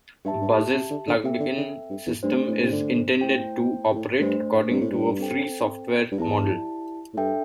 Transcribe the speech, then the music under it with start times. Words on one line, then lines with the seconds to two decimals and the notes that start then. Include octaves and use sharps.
Buzz's plugin system is intended to operate according to a free software model.
0.25 G2 G4 E5 A5
0.41 G2
0.58 A2
0.74 C3
0.91 D3
1.07 D3
1.24 C3 C4 A4 E5 G5
1.40 D3
1.57 D3
1.90 G2
2.06 E2
2.23 G2 A3 D4 C5
2.48 A2
2.62 C3
2.72 D3
3.21 A3 E4 C5 G5
3.91 C3
3.95 A2
4.20 G2 A3 D4 C5
4.70 G2
4.81 A2
4.91 G2
5.19 C4 A4 C5 G5
6.11 G2
6.18 E2 E4 G4 D5 A5
7.13 A2
7.17 G2 D4 A4 E5 G5